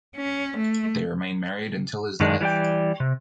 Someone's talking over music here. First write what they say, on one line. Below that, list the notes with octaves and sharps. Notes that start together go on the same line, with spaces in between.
They remained married until his death.
C#4
A3
F#2 D#3 G#3 D4
E3 G3 A#3 D5 G5
C3